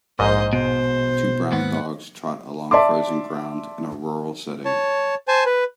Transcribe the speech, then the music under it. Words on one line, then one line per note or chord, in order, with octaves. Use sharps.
Two brown dogs trot along frozen ground in a rural setting.
A#1 G#2 C5 D#5
B2 C5
D#2 G#2 B3 F#5
D5 E5 A5 C6 D6
C#5 A5
C5 G#5 A5
B4